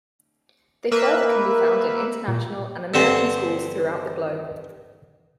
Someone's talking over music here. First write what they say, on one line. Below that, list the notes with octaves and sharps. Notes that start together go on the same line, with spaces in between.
They further can be found in international and American schools throughout the globe.
A#3 A#4 B4 E5
A#2
G2 D3 C4 C5